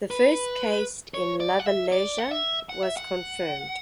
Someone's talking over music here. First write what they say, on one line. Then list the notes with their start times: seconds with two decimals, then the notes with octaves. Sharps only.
The first case in Lavalleja was confirmed.
0.11 B4
1.14 C#5
1.40 D5
1.59 F#5
1.66 E5
1.92 D5
2.18 F#5
2.31 E5
2.69 F#5
2.83 E5
2.97 F#5